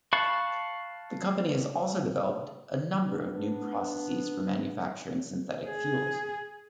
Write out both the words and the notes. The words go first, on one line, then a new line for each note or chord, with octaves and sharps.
The company has also developed a number of new processes for manufacturing synthetic fuels.
F5 A5 B5 C#6 F#6
B3 D4
G#4